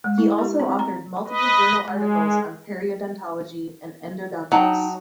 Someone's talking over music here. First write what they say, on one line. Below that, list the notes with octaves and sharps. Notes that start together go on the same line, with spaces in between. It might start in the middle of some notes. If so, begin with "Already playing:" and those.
He also authored multiple journal articles on periodontology and endodontics.
G#3
E4
G4
C4
A#5
B4 D#5
G#3
F#3 D#4 F#5 G5 A5 D#6